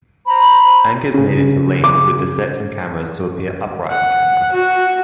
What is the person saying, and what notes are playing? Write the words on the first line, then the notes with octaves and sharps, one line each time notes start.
Anchors needed to lean with the sets and cameras to appear upright on camera.
C5 A#5 B5
C#3 G#4
D6
F#5
F#4